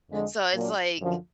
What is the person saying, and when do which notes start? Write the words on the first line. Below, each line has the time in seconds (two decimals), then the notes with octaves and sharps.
So, it's, like
0.10 F2 D3 G#3
0.54 A#2 F#3 A#3 D4
0.99 F#2 D3 F3